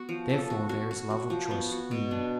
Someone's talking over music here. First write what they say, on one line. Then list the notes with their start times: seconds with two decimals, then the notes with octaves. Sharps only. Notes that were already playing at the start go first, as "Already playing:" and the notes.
Therefore there is love of choice in them.
Already playing: B3 F#4
0.09 F3
0.29 A4
0.50 F#4
0.69 F#4
0.91 F#4
1.11 F#4
1.30 F3
1.51 B3
1.72 F#4
1.91 B2
2.11 D4